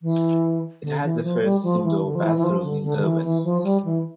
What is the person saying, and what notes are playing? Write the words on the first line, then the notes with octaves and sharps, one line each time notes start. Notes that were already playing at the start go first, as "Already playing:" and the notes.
It has the first indoor bathroom in Erwin.
E3
D3
E3
F3
G3
F3
E3
D3
F3
E3
E3
F3
D3
D3
D3
E3
E3
F3
G3
E3